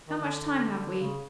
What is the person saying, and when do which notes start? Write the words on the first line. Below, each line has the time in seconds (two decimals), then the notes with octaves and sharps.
"How much time have we?"
0.08 D#3
0.19 D3
1.00 C#3